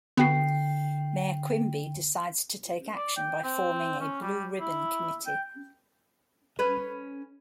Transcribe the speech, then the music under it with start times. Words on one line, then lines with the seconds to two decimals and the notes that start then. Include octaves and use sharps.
Mayor Quimby decides to take action by forming a Blue Ribbon Committee.
0.17 D3 B3 F#4 G5 C7
2.96 D5
3.17 G5
3.43 C4
4.01 C#4
4.21 G3
4.60 E4
5.27 G5
6.59 C#4 B4